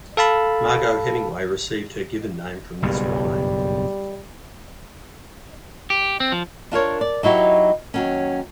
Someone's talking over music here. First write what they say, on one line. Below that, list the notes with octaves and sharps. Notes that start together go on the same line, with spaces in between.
Margaux Hemingway received her given name from this wine.
A4 F5 A5 B5
F#1 B1 G2 G3
G4
C4
F3
D4 F4 A#4 C#5
D5
F#3 D#4 E4 F#4 G4
D#2 F#3 C#4